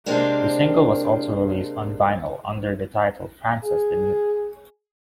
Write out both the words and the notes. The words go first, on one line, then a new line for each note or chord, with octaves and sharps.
The single was also released on vinyl under the title "Frances the Mute".
C3 G#3 A#3 C4 D4 A#4
G#4